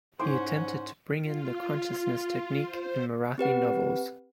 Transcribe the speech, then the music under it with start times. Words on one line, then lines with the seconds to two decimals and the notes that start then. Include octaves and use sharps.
He attempted to bring in the consciousness technique in Marathi novels.
0.19 G#2 C#4 D#4 E4 C5 F#5 G#5
1.22 F4
2.64 C5
3.38 C4 G4 B4 F#5